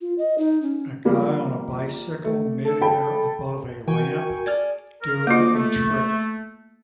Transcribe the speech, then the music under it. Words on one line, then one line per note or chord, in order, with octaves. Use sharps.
A guy on a bicycle midair above a ramp, doing a trick.
F4
D#5
D#4
C#4
F3 G3 A#3
A3
A4
G5 A5 B5
E3 F#4 A#4 G5 G#5 C#6
G#4 A4 D5 F6 G#6 A6
A#4
D2 A#3 F4 D#5 D6
A3